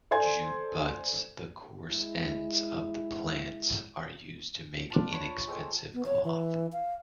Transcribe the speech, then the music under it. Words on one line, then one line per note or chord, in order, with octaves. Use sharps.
Jute butts, the coarse ends of the plants, are used to make inexpensive cloth.
A4 C5 D5 G#5 C6 G#6
G#3 E4
D4 F4 A5
C#5 B5 C#6
G#3 A4 C5 G5
B3
C#5
E3
F5